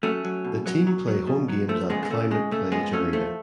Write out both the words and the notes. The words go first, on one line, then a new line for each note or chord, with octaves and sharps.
The team play home games at Climate Pledge Arena.
F#3 A3 C#4
F#3
B2
F#3
F#3
F#3
B2
F#3
F3 A3
C#3 G#3 B3
G#3
C#3 A3
C#3 G#3
C#3 A3
F3 G#3 B3
F3 A3 C#4
F3 A3